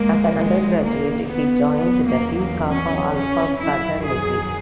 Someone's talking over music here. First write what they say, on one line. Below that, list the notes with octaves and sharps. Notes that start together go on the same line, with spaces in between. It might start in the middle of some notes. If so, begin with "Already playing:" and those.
As an undergraduate, he joined the Pi Kappa Alpha Fraternity.
Already playing: D#2 D#3 G#3 A#3
G#3
A#3
B3
E2 C#3 F#3 B3
A#3
A#3
C#4
C#4
F#2 D#3 F#3 E4
G#4